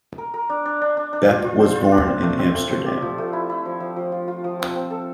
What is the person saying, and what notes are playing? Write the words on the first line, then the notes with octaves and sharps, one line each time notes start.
Bep was born in :Amsterdam.
A#4
A#4
D4
D4
D4
D4
D4
F4
F4
C5
F4
D4
C4
A3
C4
A3
C4
G4
F3
A3
E4
E4
F3
F3
F3
F4
F4
F3
C4
C4
A4